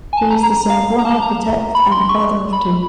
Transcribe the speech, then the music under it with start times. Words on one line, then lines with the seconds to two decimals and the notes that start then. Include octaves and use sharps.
He is the son of one architect and the father of two.
0.13 G#5
0.17 A5
0.30 A#5
0.43 A#5
0.57 A#5
0.70 F5
0.99 A#5
1.05 A5
1.22 A#5
1.75 B5
1.91 C6
2.09 C#6
2.53 B5